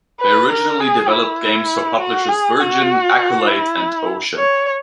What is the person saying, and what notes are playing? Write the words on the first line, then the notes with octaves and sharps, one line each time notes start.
They originally developed games for publishers Virgin, Accolade and Ocean.
B4
A#4
G#4
E4
F#4
G#4
F#4
E4
C#5